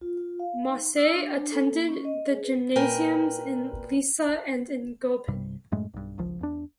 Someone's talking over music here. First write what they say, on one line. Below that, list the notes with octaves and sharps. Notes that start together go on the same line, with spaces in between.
Mosse attended the "gymnasiums" in Lissa and in Goben.
F4
F4
F5
D#4
E6
D4
A4
A#3
C#4
D#5
G#4
B4
A#2 A#4 B4 G5 G#5
B1 G2 C3 G3
F#2 A2 G#3 A3
B1 G2
D1 G#1 C#2 F3
E2 D4